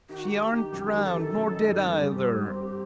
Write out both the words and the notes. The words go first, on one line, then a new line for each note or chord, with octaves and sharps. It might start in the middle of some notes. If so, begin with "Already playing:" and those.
She arn't drowned; nor dead eyther!
D#3 G4
F#4
D#3 G4
D#3
D#3
F#2
D#3
F#2 A4
D#3
F#2
D#4
D#3
G3
G2 G4
C4
C4
F#4
C4 G4
C4